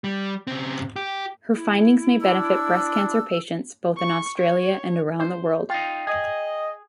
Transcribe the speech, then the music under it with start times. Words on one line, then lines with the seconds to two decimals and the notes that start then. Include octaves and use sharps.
Her findings may benefit breast cancer patients both in Australia and around the world.
0.04 G3
0.47 C#3 C4
0.96 G4
1.54 E4
2.21 D4 E6
3.98 C#6
4.39 C#5
5.19 C5
5.70 D#4 F4 G5
6.07 G#4 D#5